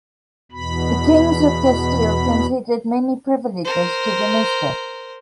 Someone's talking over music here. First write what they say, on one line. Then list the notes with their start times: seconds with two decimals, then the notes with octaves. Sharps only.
The kings of Castile conceded many privileges to the Mesta.
0.52 E2 B2 B5
3.64 A#4 C5